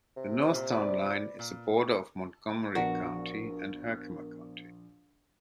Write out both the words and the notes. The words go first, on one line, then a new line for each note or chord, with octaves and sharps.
The north town line is the border of Montgomery County and Herkimer County.
C3
A#2
B4 D5
A#2
A#1 B3 D4 F#4 A#4